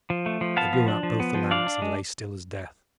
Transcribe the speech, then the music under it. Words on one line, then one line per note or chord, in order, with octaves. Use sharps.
They blew out both the lamps and lay still as death.
F3
A3
F3
B3 F5 A5
F3
D4
F3
B3
F3
D4 D5 F5
D4
G#3